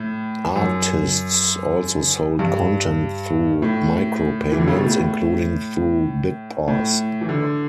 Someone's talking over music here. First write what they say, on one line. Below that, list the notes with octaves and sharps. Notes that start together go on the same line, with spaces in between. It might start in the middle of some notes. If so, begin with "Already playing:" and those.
Artists also sold content through micropayments, including through BitPass.
Already playing: A2
F#2
G2
A2
E3
D3
C#3
B2
A2
A2
E3
D3